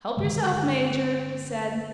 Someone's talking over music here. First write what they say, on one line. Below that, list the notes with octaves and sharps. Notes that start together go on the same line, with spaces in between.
"Help yourself, Major," he said.
G2 D3 D#3 G#3